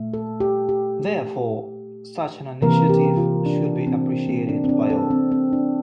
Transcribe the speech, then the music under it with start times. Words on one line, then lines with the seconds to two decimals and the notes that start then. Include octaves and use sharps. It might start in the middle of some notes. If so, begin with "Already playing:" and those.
Therefore, such an initiative should be appreciated by all.
Already playing: A#2 A3
0.14 A4
0.40 G4
0.69 G4
2.62 C3 E3 A#3 A#4
2.89 G4
3.17 F4
3.46 D4
3.87 C4
4.28 A#3
4.49 D4
4.64 C4
4.69 D4
4.90 A4
5.11 C4
5.32 C4
5.53 D4